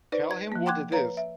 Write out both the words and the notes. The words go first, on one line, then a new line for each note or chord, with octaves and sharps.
Tell him what it is.
D#4 B4 C5 D5
G#6
F3 A#3
F#5 G5 C6 D6 F#6 G#6
B4 C#5 F5 A#5
E5